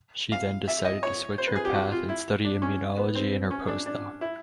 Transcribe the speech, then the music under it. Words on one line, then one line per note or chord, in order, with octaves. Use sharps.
She then decided to switch her path and study immunology in her postdoc.
F5
E5
D#5
C#5
C5
B4
G#4
G4
F#4
F4
E4
D4
C#4
B3
C4
C#4
D4
D4
E4